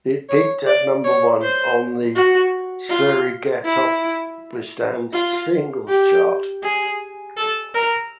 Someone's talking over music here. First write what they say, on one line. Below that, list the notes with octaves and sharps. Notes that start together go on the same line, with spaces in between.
It peaked at number one on the Sverigetopplistan singles chart.
C#5
D5
C#5
C5
F#4
F4
E4
F4
G4
G#4
A4
A#4